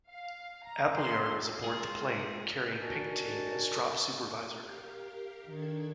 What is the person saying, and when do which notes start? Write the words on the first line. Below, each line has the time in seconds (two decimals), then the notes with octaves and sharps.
Appleyard was aboard the plane carrying 'Pink' team as drop supervisor.
0.11 F5
0.65 A#5
0.97 C6
1.64 G#3 F4 G#4
2.82 D4 D#4 F#4 A#4 G#5 A5
4.56 G4 A#4 F5
5.47 D#3 D4 A4 G#6